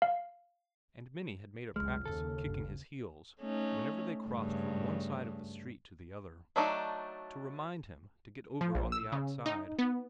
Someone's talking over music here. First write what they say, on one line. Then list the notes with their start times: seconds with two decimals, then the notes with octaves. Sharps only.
And Minnie had made a practice of kicking his heels, whenever they crossed from one side of the street to the other, to remind him to get over on the outside.
0.02 F5
1.76 F#1 C#2 G#3 F6
2.05 D#2 C#3 A4
2.46 G1 D3
3.41 A3 C#4 D#4
4.27 G2 C#3 A3
6.56 F#3 A3 D4 D#4
8.61 F3
8.75 A#1
8.92 E6
9.12 C#3
9.46 D#4
9.79 B3